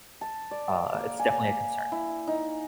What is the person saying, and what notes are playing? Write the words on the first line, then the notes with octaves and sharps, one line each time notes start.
uh, it's definitely a concern.
A5
D5
A#3
G#5
E4
D#4